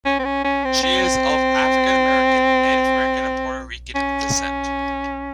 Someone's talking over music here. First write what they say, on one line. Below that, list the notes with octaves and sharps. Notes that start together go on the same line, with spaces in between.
She is of African American, Native American and Puerto Rican descent.
C#4
C4
C#4
C#4
C4
C4
C#4